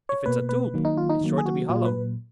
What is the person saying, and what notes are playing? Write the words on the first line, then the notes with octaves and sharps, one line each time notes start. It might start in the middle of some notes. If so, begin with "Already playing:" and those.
"If it's a tube, it's sure to be hollow."
C#5
B2 A#3 B4
B4
D#3 F#3 A#3
D#4
F4
D#4
D#3 F#3 A#3
G#4
F#4
A#2 F#3 A#3 F4
B4